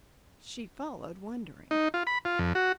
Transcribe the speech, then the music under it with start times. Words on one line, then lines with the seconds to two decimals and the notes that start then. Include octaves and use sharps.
She followed, wondering.
1.71 D#4
1.94 F4
2.07 B5
2.25 F4
2.39 F2
2.55 F#4